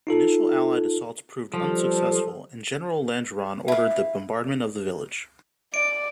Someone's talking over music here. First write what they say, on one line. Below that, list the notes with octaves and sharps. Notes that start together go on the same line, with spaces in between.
Initial Allied assaults proved unsuccessful and General Langeron ordered the bombardment of the village.
D#4 F4 A4
F3 G3 A4 C5
E4 F5
D5 D7